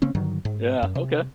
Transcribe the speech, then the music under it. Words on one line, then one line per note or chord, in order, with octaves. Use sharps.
Yeah. Okay.
C#3 A#3 C4 C#4
G2 D3 D#3 F#3
G#2
F#2
C3